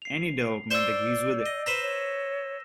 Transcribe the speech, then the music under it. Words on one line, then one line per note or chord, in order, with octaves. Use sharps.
Any development agrees with it.
C7 F7
C5 D5 C6 C#6 E6 G6
D#5
B4 C5 A#5 A#6 E7
C#5